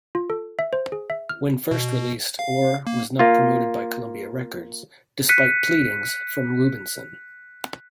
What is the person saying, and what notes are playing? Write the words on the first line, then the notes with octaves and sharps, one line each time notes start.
When first released, "Oar" was not promoted by Columbia Records, despite pleadings from Rubinson.
F4
A4
E5
C5
G#4
E5
F6
B2
F5
A#3
A#3 F4
F#6 B6 C#7 D#7